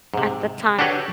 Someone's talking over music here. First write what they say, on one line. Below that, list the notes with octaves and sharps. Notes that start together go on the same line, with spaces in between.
at the time
G#2 C3
D4 F#4 G4 A4 B4 C#5